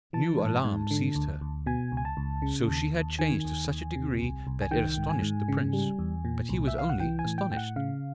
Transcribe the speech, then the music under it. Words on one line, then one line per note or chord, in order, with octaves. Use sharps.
New alarm seized her: so she had changed to such a degree that it astonished the prince, but he was only astonished.
E3 A5
G#2
G#2
D3
D2
D2
B2 G#5
C#2
G#5
A5
C#2
C#3
D#2
D#2
D#3 G#5
D#2
D#2
C3
C2
C2
G#5
D#3 G5
G#2
G#5
G#2
C#3
G3
E2
A#2
C2
E5
C2 F5
F#5
E3 G5
G#5
A2
G5
A2 G5
F#5
C#3 F5